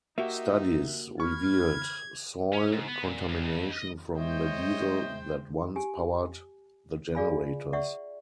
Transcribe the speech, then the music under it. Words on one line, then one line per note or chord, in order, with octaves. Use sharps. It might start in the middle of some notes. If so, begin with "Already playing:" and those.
Studies revealed soil contamination from the diesel that once powered the generators.
A#3 D#4 F#4 G4 E5
B5 C#6 F6 G#6
C#4
G#2
B3
A#2
C#2
F2
D#5
G#3 C5 C#5 D#5 E5 G5
G4 G#5
F4 G#4 D5 F5 G#5 B5
D5 E5 F#5 C#6